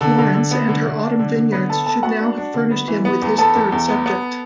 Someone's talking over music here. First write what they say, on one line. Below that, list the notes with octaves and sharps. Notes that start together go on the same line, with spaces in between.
Florence and her autumn vineyards should now have furnished him with his third subject.
D3 A4
D3
D3
B3
D3
D3
D4
D3
D3
D3 B3 B4
B3 A4 A5
B3 A4 A5
B3 F#4 F#5
D4
D4
D3
B3
E3
B3
E2
B3 A4 A5
E2
E2
B3
B3